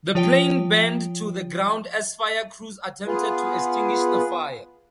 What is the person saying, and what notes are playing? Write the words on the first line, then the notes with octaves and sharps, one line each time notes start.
The plane burned to the ground as fire crews attempted to extinguish the fire.
F3 F4 C#5 G5 D7 G7
B3 F4 G#4 B4